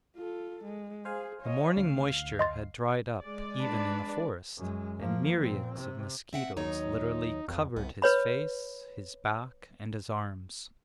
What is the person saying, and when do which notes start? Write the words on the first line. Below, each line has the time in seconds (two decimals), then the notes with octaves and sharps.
The morning moisture had dried up even in the forest, and myriads of mosquitoes literally covered his face, his back, and his arms.
0.17 F4 A4
0.64 G#3
1.05 G#4 C5 F5 G#5
1.42 C#5 D#5
1.77 D2 F5 C7
2.39 D#5 C6 A6
3.22 G#3 D5
3.60 D4 B4
4.57 F#2 G#3
4.99 F3 A#3
5.42 A#2 C4
5.76 C3
6.33 C4 E5 F#5
6.57 D#2 F#3 D#4 C#5
7.48 F2
7.76 C2 B3
8.02 B4 C#5 B5